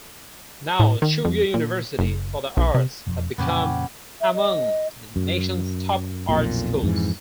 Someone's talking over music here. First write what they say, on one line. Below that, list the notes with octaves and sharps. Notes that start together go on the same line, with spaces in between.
Now Chugye University for the Arts has become among the nation's top art schools.
A2
D#3
F2
A#2
F#1
B1
C3
E1 F2
F2 A#2 C#3 B3 C#4 G4
E5
D#5
F#2
B1 F2 A#2
F2 G#2 E3